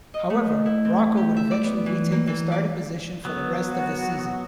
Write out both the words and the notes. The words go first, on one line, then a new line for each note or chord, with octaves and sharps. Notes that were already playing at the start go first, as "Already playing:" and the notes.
However, Rocco would eventually retake the starting position for the rest of the season.
D#5
A3
E4
C4
G4
E5
D5
B3
E3
A#3
E3
D5
F#3 B3
F#4